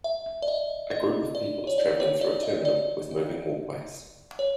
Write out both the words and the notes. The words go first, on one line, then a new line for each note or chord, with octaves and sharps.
A group of people is traveling through a terminal with moving walkways.
E5
D5
D#5
D#5
D5
C#5
D5
C#5
D5
D#5
D5
C#5